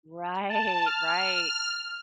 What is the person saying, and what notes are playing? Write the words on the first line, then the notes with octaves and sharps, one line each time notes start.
Right. Right.
A5
F6